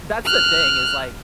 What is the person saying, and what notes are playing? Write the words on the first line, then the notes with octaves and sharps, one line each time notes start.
That's the thing is, like,
F6 F#6